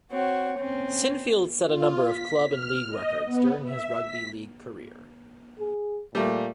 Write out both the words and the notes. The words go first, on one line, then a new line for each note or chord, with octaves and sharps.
Sinfield set a number of club and league records during his rugby league career.
C4 F#4 C#5
C4 C#4
F4
B6
F6
D#5
B3
E5
B6
G#4
A#2 G3 A3 A#3